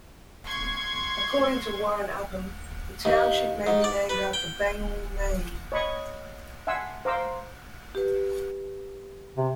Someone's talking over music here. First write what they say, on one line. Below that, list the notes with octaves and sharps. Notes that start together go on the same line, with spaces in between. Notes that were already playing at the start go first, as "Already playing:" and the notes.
According to Warren Upham, the township may be named after Bangor, Maine.
C6 C#6 G#6
D#2
G#2
D5
B4
G5
C#5 D#5 B5 C#6 D#6
E5 F#5 G#5 C6 E6
C5 F5 A#5 D6 E6
G4 B4
C3